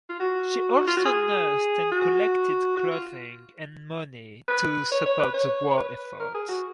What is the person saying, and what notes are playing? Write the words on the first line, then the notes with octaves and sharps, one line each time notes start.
She also nursed and collected clothing and money to support the war effort.
F4
F#4
F4
F#4
G#4
F#4
F#4
F4
B4
C#5
C#5
B4
C#5
C#5
B4
A#4
G#4
F#4